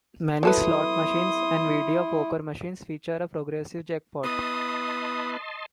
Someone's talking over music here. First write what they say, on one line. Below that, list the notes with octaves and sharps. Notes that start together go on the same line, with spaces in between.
Many slot machines and video poker machines feature a progressive jackpot.
F#3 E4 A4 B4 C6 D#6
B3 E4 B4 D#5 A5 C6 D#6